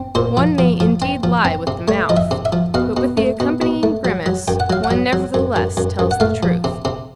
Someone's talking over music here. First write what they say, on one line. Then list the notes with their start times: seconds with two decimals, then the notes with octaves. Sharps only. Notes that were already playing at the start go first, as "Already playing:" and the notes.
One may indeed lie with the mouth; but with the accompanying grimace one nevertheless tells the truth.
Already playing: C4
0.15 A#2 C5
0.37 F3
0.58 F3
0.80 F3
1.02 C4
1.23 F3
1.45 C4
1.67 C3
1.88 A3 C#5
2.09 F3 D#5
2.17 E5
2.31 C3
2.45 E5
2.52 F3
2.74 B2 F5
2.97 B2
3.17 A3
3.40 B2
3.62 B2
3.83 A3
4.05 F#3
4.26 F#3
4.48 F#2 G5
4.60 F#5
4.70 F#3 F5
4.84 F#5
4.91 F#3
5.13 F#3
5.34 F#2
5.56 F#2
5.77 F#2
5.99 F#2
6.11 F#5
6.20 A3 F5
6.43 F3
6.64 C3
6.85 C3